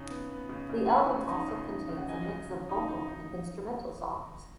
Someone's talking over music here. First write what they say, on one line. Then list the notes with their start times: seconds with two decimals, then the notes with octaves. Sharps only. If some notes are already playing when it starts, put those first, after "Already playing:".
The album also contains a mix of vocal and instrumental songs.
Already playing: C#3 D#4
0.10 B3
0.29 B3
0.49 C#3
0.70 C#3
0.85 G#5
0.89 B3 F#5 B5
1.10 C#3
1.29 D#4
1.48 C#3
1.69 D#4
1.89 C#3
1.97 F#5
2.08 F#3 D#5 G#5
2.28 C#3
2.49 F#3
2.69 D#4
2.88 D#4
3.08 D#4